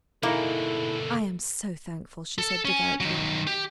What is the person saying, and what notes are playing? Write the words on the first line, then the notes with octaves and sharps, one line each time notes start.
"I am so thankful," she said devoutly.
B2 D3 G#3 A#3 D#4 E4 A4
A4
C#4 G#5
D#3 F#3
G4